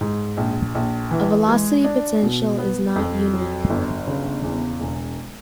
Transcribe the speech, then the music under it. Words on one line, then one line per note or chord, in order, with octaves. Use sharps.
A velocity potential is not unique.
G#2
A#1
A#1
E3
G#3
D4
B2
B3
F2
F#3
G1
C#3
E2
E1